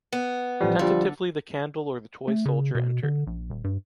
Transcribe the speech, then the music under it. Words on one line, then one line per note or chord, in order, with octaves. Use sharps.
Tentatively the candle or the toy soldier entered.
B3
A1 F3 G3
D3 F3 G3 F4
A3
C#3
B2
D3
A#1
D#1
G2